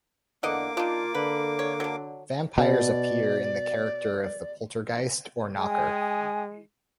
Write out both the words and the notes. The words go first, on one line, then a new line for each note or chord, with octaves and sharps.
Vampires appear in the character of the poltergeist or knocker.
E2 D3 A#3 D5 D#5 F#5 D6
D4 D#4 F4
D3 B4
C#5
F#3 D4
B2 D5
G#3 G5 G#5 D#6